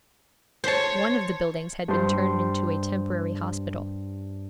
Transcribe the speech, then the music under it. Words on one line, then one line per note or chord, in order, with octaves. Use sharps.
One of the buildings had been turned into a temporary hospital.
C5 C#5 A5
G2 C5